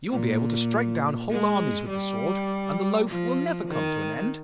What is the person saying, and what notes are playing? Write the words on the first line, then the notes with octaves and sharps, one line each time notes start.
You will be able to strike down whole armies with the sword, and the loaf will never come to an end.'
A#2
G#3
G3
F3
D#3